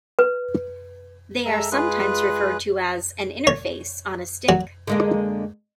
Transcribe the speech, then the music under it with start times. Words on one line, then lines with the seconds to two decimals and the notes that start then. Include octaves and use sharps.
They are sometimes referred to as an "interface-on-a-stick".
0.19 B4
1.46 G#3 A4 E5 A#5 E6
1.72 G#3 F4 G#4 B4 F#6
3.47 C#5
4.49 F#3
4.87 D3 G#3 A#3